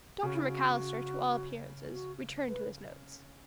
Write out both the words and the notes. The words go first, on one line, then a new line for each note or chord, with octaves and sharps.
Dr. McAllister, to all appearances, returned to his notes.
C#3 F#4
E4
F#4
F#4
B4